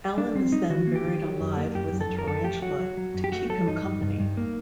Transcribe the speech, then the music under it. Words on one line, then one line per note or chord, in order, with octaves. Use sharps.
Alan is then buried alive with a tarantula to "keep him company".
G3 D4
G3 C4
G3 D#4
D#3 F#4
A#3
G4
D#3
F#3
F#2
A#3
F#2 G4
F#2
A4
F#2
A#4
F#2 A4
A3 G4
F#3 F#4
F#3
F#3
F#2
G4
A3 F#4
F#3 A4
G2 D#4
G2
G2
G2
A#3